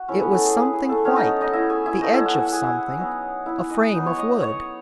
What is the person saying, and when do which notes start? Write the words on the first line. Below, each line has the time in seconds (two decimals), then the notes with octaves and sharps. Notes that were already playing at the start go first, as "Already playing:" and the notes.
It was something white, the edge of something, a frame of wood.
Already playing: F#4
0.08 F#3 A3 C#4 E4 C#5
0.20 B3 B4
0.32 A3 A4
0.44 G#4
0.57 G#4
0.73 G#4
0.88 A3 A4
1.05 F#3 B3 C#4 D#4 C#5
1.16 D#4 D#5
1.41 D#4 D#5
1.53 E4 E5
1.70 G#4 G#5
1.86 E4 E5
2.01 F#3 A3 D#4 E4 D#5
2.13 E4 E5
2.25 F#4 F#5
2.37 G#5
2.45 F#5
2.52 G#4 G#5
2.98 F#3 B3 D#4
3.46 E4 E5
3.69 D#4 D#5
3.94 F#3 B3 D#4
4.06 C#5 C#6
4.18 D#5 D#6
4.42 C#5 C#6